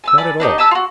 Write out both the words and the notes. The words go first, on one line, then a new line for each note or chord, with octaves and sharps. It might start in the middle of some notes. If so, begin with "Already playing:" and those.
Not at all.
G#5 A5 E6
D5 G#5 A5 B5
D4 D#4 G4 D#5
G#5 A5 B5 E6
F4 F#4